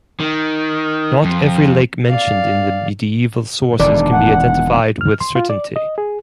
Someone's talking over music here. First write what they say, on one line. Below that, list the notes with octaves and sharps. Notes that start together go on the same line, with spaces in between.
Not every lake mentioned in medieval sources can be identified with certainty.
D#3
F2
D5 F5
E1 D#3 D4
F#5
F6
C6
F4
D5
D#5
G#4